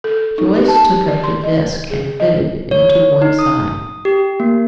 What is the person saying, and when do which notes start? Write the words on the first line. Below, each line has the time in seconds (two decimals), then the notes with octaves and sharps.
Joyce took up the disk and fitted it into one side.
0.04 A4
0.38 D#4
0.56 G4
0.68 A5
0.90 G4
1.08 D5
1.23 C6
1.43 D#5
1.91 G#4
2.20 D#5
2.71 C#5
3.22 D#4
3.39 D#6
4.05 G4
4.40 A#3